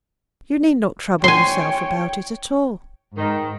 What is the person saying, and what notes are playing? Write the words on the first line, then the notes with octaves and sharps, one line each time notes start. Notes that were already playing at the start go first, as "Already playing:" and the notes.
You need not trouble yourself about it at all.
C#5 G5 G#5 C6
G#2 D#3